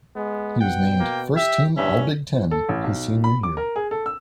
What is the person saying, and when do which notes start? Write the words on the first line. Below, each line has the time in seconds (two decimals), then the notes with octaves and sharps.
He was named "First Team All-Big Ten" his Senior year.
0.16 G#3 B3
0.61 B2 F#5 G5
1.00 A#3
1.36 G4 E5
1.77 G2 C#4 E5
2.51 A4
2.69 A1
2.84 B1
3.24 B5
3.43 D6
3.57 A#4
3.76 G#4
3.91 A4
4.06 E6